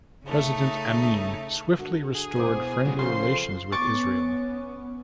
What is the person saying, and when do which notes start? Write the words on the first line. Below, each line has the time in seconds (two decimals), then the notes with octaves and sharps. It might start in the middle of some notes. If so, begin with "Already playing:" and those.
President Amin swiftly restored friendly relations with Israel.
0.25 C#3 A3 D#4
1.78 D3 F#4 A#4
2.15 G#4
2.38 B2 A#3 E4 C5 D6
2.85 B2 F#3 G#3 F4
2.99 C#3 F3 A4 C5 F5 C6
3.72 B3 C#4 C#6 D6 A6